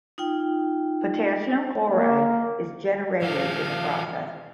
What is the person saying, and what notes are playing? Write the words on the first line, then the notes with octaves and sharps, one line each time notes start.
Potassium chloride is generated in the process.
D#4 F4 G5
A#3
E3 F4 F5